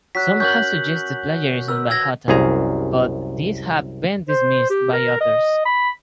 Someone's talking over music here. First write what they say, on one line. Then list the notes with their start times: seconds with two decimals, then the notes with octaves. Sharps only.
Some had suggested plagiarism by Hutton but these have been dismissed by others.
0.15 F#3 F#6 B6
0.40 C#4 A#4 F#5 G6 F#7
1.68 A#4 B4 E6
1.90 E6 G#6 A#6
2.28 C2 F#2 G#4 A#5
4.29 C5
4.70 G4
4.93 A#4
5.21 D#5
5.66 B5